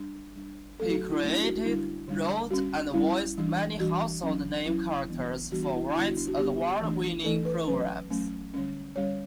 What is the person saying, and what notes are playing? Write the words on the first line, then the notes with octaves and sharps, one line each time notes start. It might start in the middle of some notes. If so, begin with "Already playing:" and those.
He created, wrote and voiced many household name characters for Wright's award-winning programmes.
Already playing: G3 D4
G3 D4
F#3 A3 C#4 A4
F#4
F#4
E4
F#3 A3 C#4 D4
E4
F#4
F#4
D3 G3 D4 E4
D3 G3 D4
G3 C#4 F#4
G3 C#4 E4
E3 G3 D4
E3 G3 D4 F#4
F#3 C#4
F#3 C#4 E4
E3 G3 B3 D4
E3 G3 B3 D4 F#4
F#4
E4
D4
D3 G3 B3 E4
F#4
D4
F#4
D3 G3 B3 G4
E3 A3 D4
E3 A3 D4 A4
B4
F#3 A3 C#4 B4
F#3 A3 C#4
D3 G3 C#4
D3 G3 C#4 C#5